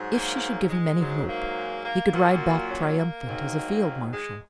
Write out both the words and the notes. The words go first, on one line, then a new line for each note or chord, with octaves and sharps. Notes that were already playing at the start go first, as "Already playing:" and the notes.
If she should give him any hope, he could ride back triumphant as a field-marshal.
Already playing: G#2 F#3
A#3
G#3
G#2 F#3
A#3
A#3
A#2 F#3 A#3
C#4
A#3
G#2 D#3 F#3
G#3